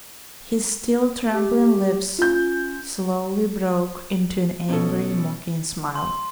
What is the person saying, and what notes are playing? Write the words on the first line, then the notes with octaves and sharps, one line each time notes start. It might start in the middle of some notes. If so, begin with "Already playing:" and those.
His still trembling lips slowly broke into an angry mocking smile.
G4
C#4 F4 G6
B2 C#4 A4
C6